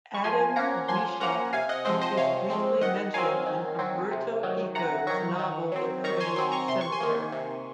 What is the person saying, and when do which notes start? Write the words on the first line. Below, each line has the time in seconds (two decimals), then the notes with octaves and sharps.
Adam Weishaupt is briefly mentioned in Umberto Eco's novel "The Prague Cemetery".
0.14 C#6
0.24 F3 G#5 C6
0.56 A#3 C#4 F#5 A#5
0.88 F3 G#5 C6
1.20 A#3 C#4 F#5 A#5
1.53 C3 F5 G#5
1.69 D#5 F#5
1.85 F3 G#3 C4 C5 D#5
2.01 C5 D#5
2.17 C3 C#5 F5
2.50 F3 G#3 C4
2.81 D#3 D#5 F#5
3.14 F#3 C4 F5 G#5
3.46 D#3
3.79 F#3 C4
4.11 C3
4.43 D#3 F#3
4.75 C3 F#5 A#5
5.07 D#3 F#3 A#5 C#6
5.39 D#3
5.72 F#3 C4
6.04 D#3 A#5 C#6
6.20 G#5 C6
6.36 F#3 C4 G#5 C6
6.52 A#5 C#6
6.68 C3 C6
6.81 C#6
6.92 G#5 C6
7.01 D#3 A#3
7.32 C3